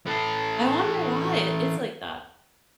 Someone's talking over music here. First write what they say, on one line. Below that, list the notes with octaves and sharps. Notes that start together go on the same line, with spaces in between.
I wonder why it is like that.
E3 A4